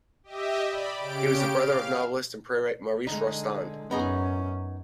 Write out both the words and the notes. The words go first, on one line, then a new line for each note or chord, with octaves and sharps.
He was the brother of novelist and playwright Maurice Rostand.
G4 D#5 E5
D5 B5
C#3 G4 D7
F5
D3 G#3 D#4
F#2 B3 C#4 D#4 G#4